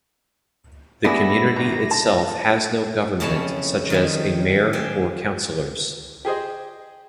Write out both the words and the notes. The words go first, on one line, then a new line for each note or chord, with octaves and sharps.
The community itself has no government such as a mayor or councillors.
G2 B3 E4 G#4 A4 D5 A#6
G1
A5
F2 C#3 A3 C#4 E4 A5
D#3 F3 G3
C4 G4 G5 G#5
G4 G#4 C5 D#5